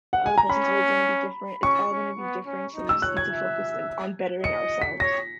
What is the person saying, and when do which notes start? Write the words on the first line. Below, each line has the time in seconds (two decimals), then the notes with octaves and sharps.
the other person's story is gonna be different, it's all gonna be different, so we just need to focus in on bettering ourselves.
0.13 F#5
0.26 G#5
0.38 A#5
0.50 C#4 B5
1.63 C#4 C#6
1.91 C#4
2.19 B3
2.47 C#4
2.75 D#4
2.89 E6
3.02 C#5 F#6
3.17 G#6
3.31 E5
4.43 D#5 C#7
4.82 B6
5.00 C#5 A#6